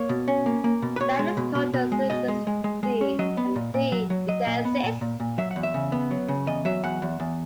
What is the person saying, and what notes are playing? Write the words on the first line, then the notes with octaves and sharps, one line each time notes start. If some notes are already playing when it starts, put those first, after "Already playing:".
Let us call the solutions "d" and "d", if they exist.
Already playing: A#3 C#5
B2
C#4
A#3
A#3
B2
B4
B2 C#5
G#3
B2
B2
B2
G#3
B2 D#5
G#3
G#3
G#3
G#3
C#4
F#3 D#5
B3
A#2
A#2
F#3
F#3
F#3 D#5
A#2
B3
A#2
A#2
A#2
F#3 E5
F#5
E2
E5
C#3
B3
F#3
C#3
E2 D#5
F#3 E5
E2 F#5
E2
E2